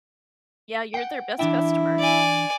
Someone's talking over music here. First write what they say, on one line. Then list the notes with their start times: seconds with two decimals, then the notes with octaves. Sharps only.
Yeah, you're their best customer.
0.94 F#5 G5
1.39 E3 D4 E4 G5
1.99 D5 G#5